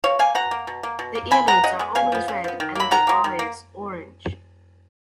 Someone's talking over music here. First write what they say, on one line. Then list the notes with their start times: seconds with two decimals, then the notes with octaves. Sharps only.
The earlobes are always red, and the eyes orange.
0.04 B2 C#5 F5
0.19 A#3 F5 G#5
0.35 B2 F#5 A#5
0.51 A#3
0.67 B2
0.83 A#3
0.99 B2
1.15 A#3
1.31 C#3 G#5 B5
1.47 G#3 B3 F#5 A#5
1.64 C#3 D#5 F#5
1.79 G#3 B3
1.95 C#3 F5 G#5
2.12 F3 B3
2.28 C#3
2.44 F3 B3
2.60 D#3
2.75 F#3 A#3 B5
2.91 D#3 F#5 A#5
3.07 F#3 A#3
3.24 D#3
3.39 A#3